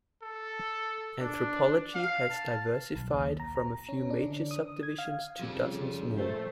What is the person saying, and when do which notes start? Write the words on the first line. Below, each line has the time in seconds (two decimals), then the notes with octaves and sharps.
Anthropology has diversified from a few major subdivisions to dozens more.
0.23 A4
1.21 D4
1.95 F5
2.30 A5
2.95 B1
3.12 D#2
3.40 A#5
3.56 A#5
3.89 C#4
4.10 D4
4.23 D3
4.51 D#6
4.83 G#6
4.98 F5
5.39 C#3 F3 G3 C4
6.16 A#2 A3 A4 C5